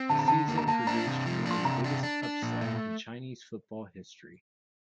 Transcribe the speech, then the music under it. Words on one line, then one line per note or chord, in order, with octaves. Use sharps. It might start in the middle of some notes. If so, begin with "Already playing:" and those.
The season produced one of the biggest upset in Chinese football history.
Already playing: C4
D3 A5
A#5
D3 A5
A#3
A#5
A#3 A5
D4 A#5
C3
F3
D4 C6
C3 A#5
D4
D4
D4
A#2
A3